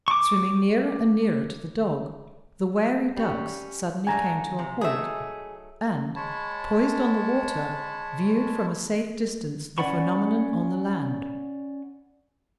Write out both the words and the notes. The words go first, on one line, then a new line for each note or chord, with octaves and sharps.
Swimming nearer and nearer to the dog, the wary ducks suddenly came to a halt, and, poised on the water, viewed from a safe distance the phenomenon on the land.
C#6 D6
G3 C#4
D3 A3 G#5 A#5
C3
F#3 A3 D#4 G#4 E5
G#3 C#5 A5 B5
C#4 D5 F#5 B5 C#6